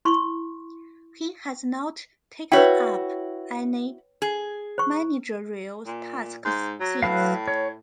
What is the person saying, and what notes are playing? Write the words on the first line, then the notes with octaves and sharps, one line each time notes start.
He has not taken up any managerial tasks since.
E4 C6 C#6
E4 F#4 B4 C#5 G5
G#4
C5 C#6
A#2
G#2
F#3
A2 F#3 B4 F5
C#5